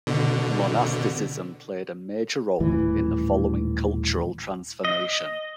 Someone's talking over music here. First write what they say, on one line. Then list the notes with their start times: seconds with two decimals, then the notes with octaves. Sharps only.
Monasticism played a major role in the following cultural transformation.
0.07 B2 D3
2.60 D#1 A2 E3
4.85 D#5